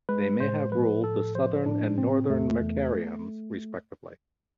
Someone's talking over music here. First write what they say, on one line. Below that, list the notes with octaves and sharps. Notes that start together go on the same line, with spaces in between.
They may have ruled the southern and northern Mercians respectively.
G#3 B4
A2 C5
F3 B4
A2 A4
F3 C5
A2 D4
C3 C4
E2 A3
E2